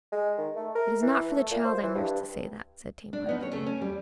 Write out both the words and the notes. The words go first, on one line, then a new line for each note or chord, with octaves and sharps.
'It is not for the child I nursed to say that,' said Tamar.
G#3
D#3
A3
A#4
E3
A3
A#2
C5
E3
G2
D4
F3 B3 D#4
D#2 C#4 C#5
C#3 A3
C#4
E2 G3